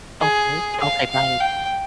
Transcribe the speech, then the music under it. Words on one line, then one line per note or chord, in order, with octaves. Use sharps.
okay, okay, by
G#4
F5
F5
G5